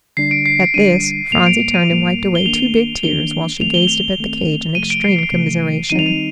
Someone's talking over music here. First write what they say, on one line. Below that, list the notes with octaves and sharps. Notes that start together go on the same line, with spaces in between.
At this Phronsie turned and wiped away two big tears, while she gazed up at the cage in extreme commiseration.
D3 G3 D4 C7
D7
C7
D7
D3 G3 D4 D#7
A2 G3 A#3 F7
D7
D7
D#7
A2 G3 A#3
G7
D#3 A#3 D4 F7
D#3 A#3 D4 G7
D#3 A3 C4 F7
G7
F7
D#3 A3 C4
C3 F3 A3 D#7
D7
C7
D7
C3 F3 A3
D#3 G3 C4 D#4 D#7
F7
D#7